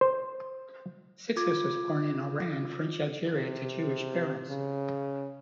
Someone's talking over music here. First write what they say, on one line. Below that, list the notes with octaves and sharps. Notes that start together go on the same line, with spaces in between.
Cixous was born in Oran, French Algeria to Jewish parents.
C5
F4 D6 G#6
C3
C#3